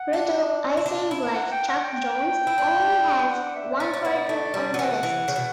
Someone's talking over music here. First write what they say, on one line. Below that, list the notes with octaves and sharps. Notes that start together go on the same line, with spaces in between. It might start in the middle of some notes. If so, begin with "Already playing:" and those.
Rudolf Ising, like Chuck Jones, only has one cartoon on the list.
Already playing: F#5
D4
E4
D4
E4
F#5
G5
F#5
G5
E4
D4
F#5
E5
C#4 D5
C#4
B3
A3
G3
F#3
E3 F#5
E3
C#3
B2